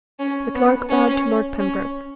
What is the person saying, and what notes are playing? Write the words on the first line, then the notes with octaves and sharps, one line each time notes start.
The Clerk bowed to Lord Pembroke.
C#4
B3
C#4
C#4